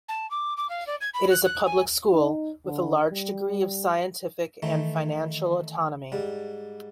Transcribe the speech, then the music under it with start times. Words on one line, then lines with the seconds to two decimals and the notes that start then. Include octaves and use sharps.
It is a public school with a large degree of scientific and financial autonomy.
0.09 A5
0.31 D6
0.57 D6
0.69 F5
0.87 D5
1.01 G#6
1.14 B5
1.30 F#6
1.45 F#6
1.65 G#5
2.12 D#4
2.66 D3
3.11 G3
4.62 D#3 E3 A3
6.12 G#2 G3